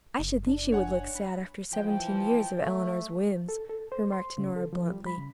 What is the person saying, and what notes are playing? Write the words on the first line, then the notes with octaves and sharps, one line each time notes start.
"I should think she would look sad after seventeen years of Eleanor's whims," remarked Nora bluntly.
F#1
D4
C#5 F#5 G#5
B5
E3 F3 G5
F#3 A3
A4
A4
C5
C6
C#3
A4
F3
G3
B5
C#3